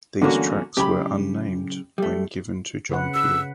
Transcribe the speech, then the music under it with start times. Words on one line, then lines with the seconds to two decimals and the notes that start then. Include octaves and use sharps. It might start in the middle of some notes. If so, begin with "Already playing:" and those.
These tracks were unnamed when given to John Peel.
0.22 E2 G2 D3 A#3 C#4 F#4
0.77 A2 C#3 F#3 G4 B5
1.98 G3 A3
2.89 C#3 B4 F#5
3.14 E6